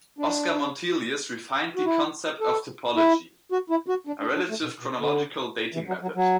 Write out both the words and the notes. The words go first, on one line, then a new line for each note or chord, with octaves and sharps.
Oscar Montelius refined the concept of typology, a relative chronological dating method.
D4
F#4
E4
A4
E4
F#4
E4
F#4
D4
D4
D4
A3
B2
B2
D3
E3
F#3
F#3
F#3